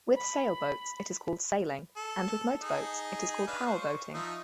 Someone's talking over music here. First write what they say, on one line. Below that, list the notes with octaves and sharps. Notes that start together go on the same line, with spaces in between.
With sailboats, it is called sailing, and with motorboats, it is called powerboating.
B5
A4
D#4 G#4
D4 B4 F5
C5 C#6
F3 D#4 E5